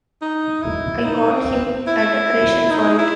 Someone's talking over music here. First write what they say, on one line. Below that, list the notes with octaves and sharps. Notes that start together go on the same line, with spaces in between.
I got him a decoration for it.
D#4
E4
D#4
C4
E4
D#4
E4